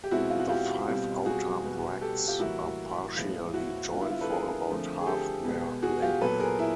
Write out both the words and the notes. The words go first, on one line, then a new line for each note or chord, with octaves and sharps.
The five outer bracts are partially joined for about half their length.
G4
B2 G#3 C4 E4 F#4
F4
F#4
F4 G4
B2 G3 C4
F#4 G#4
B2 G3 B3
G4 A4
F4 G4
A2 E3 G3 A#3 E4 F#4
A2 F3 G#3 B3 F4
E4 F#4
D3 G3 B3 F4
E4
F4
A4 B4
G#4 A#4
D3 F3 A3 C4
G#4
G4 A4
B2 G#3 B3
F#4 G#4
F4 G4
A#2 F#3 B3 A4 B4
G#4 A#4
E4